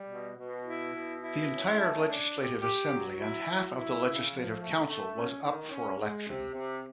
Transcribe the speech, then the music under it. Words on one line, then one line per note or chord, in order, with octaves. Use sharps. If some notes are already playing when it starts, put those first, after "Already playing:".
The entire Legislative Assembly and half of the Legislative Council was up for election.
Already playing: G3
B2
B2
E4
B2
E4
C#4
A3
D4
G4
G4
F#3
E4
F#3
E4
C#3
F3
A3
A3
C#4
D#3
C#4
G#3
C3
C3